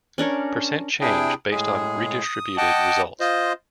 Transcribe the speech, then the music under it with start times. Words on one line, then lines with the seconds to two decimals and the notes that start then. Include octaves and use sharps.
Percent change based on redistributed results.
0.18 C#4 D4 A#4 C#5
1.01 C3 D4 E4 G#4 G5
1.50 A2 G#3 G#4
2.22 D#6
2.57 D#5 F#5 G5 A5 D6
3.20 F4 C5 D#5